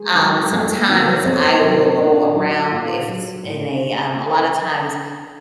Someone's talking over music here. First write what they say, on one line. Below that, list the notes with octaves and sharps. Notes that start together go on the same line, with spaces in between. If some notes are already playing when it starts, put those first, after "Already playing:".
um, sometimes I will go around if it's in a, um a lot of times
Already playing: G#3 G#4
D#3 F#3
A#4
F2 A3 A4
C3 D#3 F#3 A#3 A#4
A#4
B3 B4
C#5
F2 C4 C5
C3 D#3 F#3 C4 C5
A#2 D4 D5
F#3 D#4 D#5
A#2 F4 F5
F#3
A2